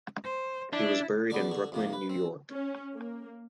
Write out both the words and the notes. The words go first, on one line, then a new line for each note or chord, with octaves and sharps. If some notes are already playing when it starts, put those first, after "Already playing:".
He was buried in Brooklyn, New York.
C5
D4 E4
E2 B3 D4 D5 C#6 D6
D3 C#6
F2 C3 A#3
B4
C4
C#4
A#3